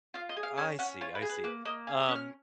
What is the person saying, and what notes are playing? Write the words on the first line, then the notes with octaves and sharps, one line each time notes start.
I see, I see. Um,
F4 F5
D#5
G#4
F5
C#4 G#5
C#4 F#5
F4 C#5
B4
G#4
B4
A#3 B4
A#3 D#5
G#4 F5
D#6
C#4 F#6
F6